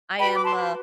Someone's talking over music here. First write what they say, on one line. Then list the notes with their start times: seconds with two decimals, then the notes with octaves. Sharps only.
I am, uh
0.19 F#4 B4 G5 B5
0.35 D6
0.45 A5 C6